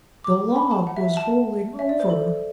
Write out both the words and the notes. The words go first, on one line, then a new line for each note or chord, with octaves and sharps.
The log was rolling over!
D6
B5
A5
F#5
E5
A5
E5
D5
C5
A4